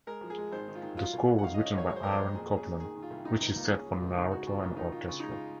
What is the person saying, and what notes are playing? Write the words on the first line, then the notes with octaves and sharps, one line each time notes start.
The score was written by Aaron Copland, which he set for narrator and orchestra.
G#3 A#4
F3
G#4
G#3
G#1 C5
D#3
F4
D#3
F#3 F4
C2
F#3
F#5
D#3 F5
D#5
C#4
D#5
F#2 C#5
G#3 C#5
C5
F2 A#4
C5
F2
A#2 G#4
C#4
G#4
A#2
D#3 G#4
D#3
F4
C2
C3 D#4
C#2 D#4
A#3 F4
C#4 G#4
F#3
F4
C#2
C#3 D#4
G#3 F#4
C#3 F4
A#1 F4
D#3 D#4
D#3 F4
C#3 F4
G#3 D#4
F4